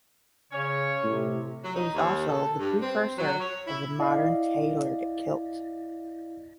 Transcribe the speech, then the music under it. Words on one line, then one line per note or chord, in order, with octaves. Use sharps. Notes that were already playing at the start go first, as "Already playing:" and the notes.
It was also the precursor of the modern tailored kilt.
C#3 C#4 C#5
A2 C3
F#3
D#4
D#2
A4
G2
C4
F#3
C#5
E4
E4 D5 D#5 F5